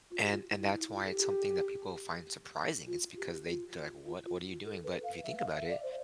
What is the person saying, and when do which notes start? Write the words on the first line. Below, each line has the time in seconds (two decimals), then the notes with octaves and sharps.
And and that's why it's something that people find surprising, it's because they they're like, "What what are you doing?" But, if you think about it,
0.11 F4
0.22 G4
0.30 F4
0.50 E4
0.65 E4
0.79 E4
0.94 F4
1.05 A4
1.10 G4
2.87 F4
3.17 G4
3.46 F4
4.05 F4
4.26 F4
4.65 A4
4.84 B4
5.04 F5
5.24 E5
5.39 F5
5.53 E5
5.69 D5
5.83 C5